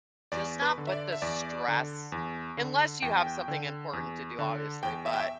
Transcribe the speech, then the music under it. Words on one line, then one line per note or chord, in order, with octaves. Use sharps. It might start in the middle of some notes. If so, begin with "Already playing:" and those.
just not put the stress unless you have something important to do, obviously, but
E2 D5
B4
D3
E5
D5
E5
E2 D5
D3
E2
D3
E2 G5
D3
E2
D3
E2 G5
E5
G5
E5